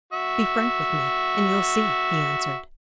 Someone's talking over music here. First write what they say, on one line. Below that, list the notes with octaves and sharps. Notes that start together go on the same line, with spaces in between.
"Be frank with me and you'll see," he answered.
F#4 E5